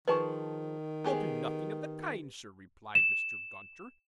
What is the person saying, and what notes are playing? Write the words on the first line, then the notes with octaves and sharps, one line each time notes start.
'I'll do nothing of the kind, Sir,' replied Mr. Gunter.
D#3 F3 G#4 B4 A5 C#6
B3 G4 G#4
E7